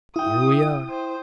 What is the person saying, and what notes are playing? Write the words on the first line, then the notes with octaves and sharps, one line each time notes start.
"Here we are."
E4 G5 D#6
C5